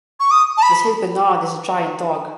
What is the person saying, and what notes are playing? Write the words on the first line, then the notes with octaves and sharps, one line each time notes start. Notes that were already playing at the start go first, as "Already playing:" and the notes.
The Saint Bernard is a giant dog.
C#6
D#6
A5
B5